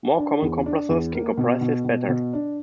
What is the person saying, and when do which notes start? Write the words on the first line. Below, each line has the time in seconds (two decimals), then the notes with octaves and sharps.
More common compressors can compress this better.
0.18 D4
0.42 E2
0.66 D4
0.89 E2
1.14 A#3
1.38 B2
1.61 B2
1.85 B2
2.09 B2
2.33 D4